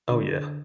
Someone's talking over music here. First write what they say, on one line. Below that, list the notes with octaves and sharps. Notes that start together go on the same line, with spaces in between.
Oh, yeah.
D3